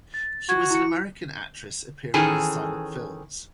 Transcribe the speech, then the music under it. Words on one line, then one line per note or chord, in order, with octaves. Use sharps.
She was an American actress appearing in silent films.
A6
F#4 G#6
E4 C#7
D#3 E3 C#4 G#4 A4